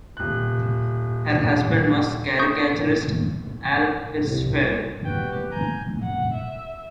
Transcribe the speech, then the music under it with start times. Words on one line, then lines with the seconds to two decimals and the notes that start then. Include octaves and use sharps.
Her husband was caricaturist Al Hirschfeld.
0.17 D#1 F#6
2.39 C#6 D#6 G6
4.26 C2
5.05 G3 F#4 B4 G5
5.32 G4
5.51 G#5 A#5 G6
6.03 F#5
6.34 E5